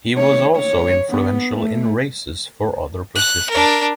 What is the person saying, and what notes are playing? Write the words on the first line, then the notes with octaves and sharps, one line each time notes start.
He was also influential in races for other positions.
C#5
C#5
B3
A3
F#6
D4 A#4